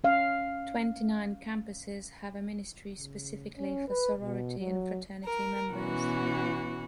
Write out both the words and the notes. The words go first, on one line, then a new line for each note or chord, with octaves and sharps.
Twenty-nine campuses have a ministry specifically for sorority and fraternity members.
C#4 F5
C#3
C#4
B4
B2
F#3
A#4
B2 E3 C#4 F#4